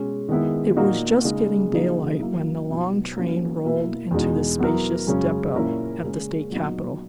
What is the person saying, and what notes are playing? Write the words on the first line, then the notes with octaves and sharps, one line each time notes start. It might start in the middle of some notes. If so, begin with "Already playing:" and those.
It was just getting daylight when the long train rolled into the spacious depot at the state capital.
Already playing: B2 G#3 C#4
D#3 G#3 B3 E4
A#2 A#3 D#4 F#4
C#3 G#3 D#4
C#3 F#3 A#3 D#4
F#3 A#3 E4
B2 F#3 B3 D#4
F#3 A#3 C#4 E4
B2 A#3 E4
E2 B2 G#3 D#4
F#3 B3 E4 A#4
F#2 C#3 G#3 C#4
A#2 A#3 C#4 E4 A#4
C#3 G#3 C#4
A#2 F#3 B3 D#4